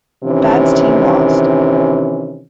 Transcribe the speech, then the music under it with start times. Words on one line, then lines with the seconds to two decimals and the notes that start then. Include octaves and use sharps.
Badd's team lost.
0.24 C3 D#3 E3 C#4